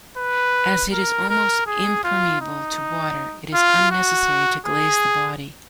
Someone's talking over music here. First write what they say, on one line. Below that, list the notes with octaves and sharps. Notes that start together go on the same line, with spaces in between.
As it is almost impermeable to water, it is unnecessary to glaze the body.
B4
A#4
A#4
G#4
F4
D#4
F4
F#4
G#4